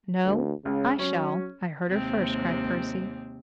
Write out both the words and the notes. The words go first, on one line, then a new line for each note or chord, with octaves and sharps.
"No, I shall--I heard her first!" cried Percy.
D2
C#2 C#3
F#3 C#4
D#2 C3 G#3 C4